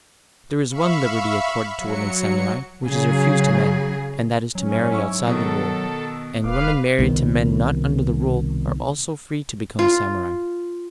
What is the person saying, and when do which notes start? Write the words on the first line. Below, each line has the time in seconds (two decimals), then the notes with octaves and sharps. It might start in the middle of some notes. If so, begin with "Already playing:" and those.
There is one liberty accorded to women samurai which is refused to men, and that is to marry outside the Rule, and women married to men not under the Rule are also free to become samurai.
0.69 E5 F5 B5 C#6
1.79 F#3 C#7
2.83 C#3 F#3 G#4
4.55 G#2 F#3 C#4
4.92 E4 C#6
5.27 B2 D#3 A4
6.44 E1 B4 F5 D6
6.99 C2 B2 D#3
9.79 F4